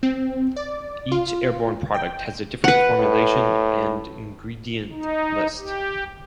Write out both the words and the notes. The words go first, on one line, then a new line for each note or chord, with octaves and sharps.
Each Airborne product has a different formulation and ingredient list.
C4
D5
F4
G5
B4 F#5
A2
D#4
G4